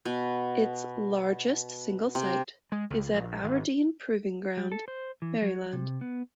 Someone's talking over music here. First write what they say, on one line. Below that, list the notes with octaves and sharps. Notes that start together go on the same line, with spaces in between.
Its largest single site is at Aberdeen Proving Ground, Maryland.
B2
C3
G#3
C#2
A#1
G#1
G3
A4
C5
E3
F#3
C3
B3